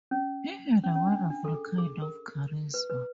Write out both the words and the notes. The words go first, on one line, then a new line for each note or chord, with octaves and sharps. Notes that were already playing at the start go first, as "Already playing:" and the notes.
He had a wonderful kind of charisma.
C#4
C#4
C#4
D4
D4
D4
A4
G#4
G#4
A#4
B4
B4